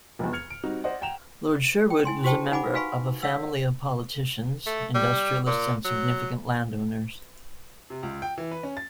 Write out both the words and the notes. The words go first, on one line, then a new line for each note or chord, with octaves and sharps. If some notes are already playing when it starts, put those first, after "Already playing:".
Lord Sherwood was a member of a family of politicians, industrialists and significant landowners.
F1 E2
F6 G#6 C#7 F7
D7
G3 C4 D#4 F#4
C5 D5 D#5 F#5
F#5 G5 A#5 E7 F7
G5
E4 G#5 C6
F#4 G4 C5 G5 A5
D#4 F#5 G#5 B5 D6
F#4 B4 F5 G#5 B5 C#6
C#5 F5 F#5 E6
A3
G3
A#2
F#3
C3
C#2
G5
E3
B4
C#4
A6